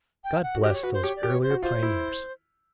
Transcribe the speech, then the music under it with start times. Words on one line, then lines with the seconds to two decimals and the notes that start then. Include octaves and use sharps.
God bless those earlier pioneers!
0.24 G5
0.43 F#5
0.55 F#4
0.63 G4 D#5
0.73 C#5
0.83 F#4 B4
0.94 C5
1.04 G4 C#5
1.16 D5
1.23 G4
1.29 C#5
1.42 C5
1.51 F#4
1.63 F4 C5
1.83 E4